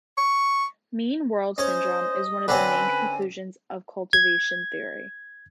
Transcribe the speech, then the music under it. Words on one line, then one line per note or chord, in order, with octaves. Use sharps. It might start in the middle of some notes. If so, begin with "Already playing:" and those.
Mean world syndrome is one of the main conclusions of cultivation theory.
C#6
C#4 C5 C#5 D#5
D3 C4 C#4 B4 G#5
G#6